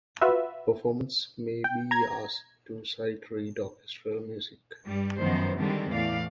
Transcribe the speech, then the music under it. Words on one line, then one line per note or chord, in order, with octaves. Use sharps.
Performers may be asked to sight read orchestral music.
F4 F#4 B4 E5
G5
A#5 G#6
G2 G3
F#2 D#3 F3 B3 C5
D3 D#3 G3 G#3 C4 D4
E2 A2 E3 A3 D5 F5